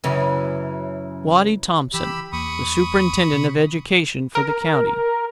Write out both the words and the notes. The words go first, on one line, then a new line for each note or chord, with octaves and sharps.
Waddy Thompson, the Superintendent of Education for the county.
F#2 C#3 E3
E3 G4 B5 E6
E2 A#3 B5 C#6 D#6
C3
A#4